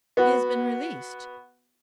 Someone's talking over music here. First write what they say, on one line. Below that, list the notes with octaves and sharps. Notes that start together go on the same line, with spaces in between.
"He has been released."
B3 F#4